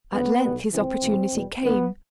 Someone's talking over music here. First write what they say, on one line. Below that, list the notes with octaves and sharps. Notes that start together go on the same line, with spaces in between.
At length his opportunity came.
D2 C#3 F3 B3
B1 B2 G3
C#2 C#3 E3 C4
B1 A2 E3
E2 B2 G3
G#1 G2 D3 B3